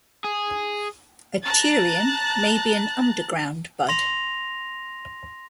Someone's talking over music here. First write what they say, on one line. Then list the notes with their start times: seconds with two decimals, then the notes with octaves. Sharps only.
A turion may be an underground bud.
0.24 G#4
1.43 A5 A#5 F#6 A6
3.89 C6 A#6 F7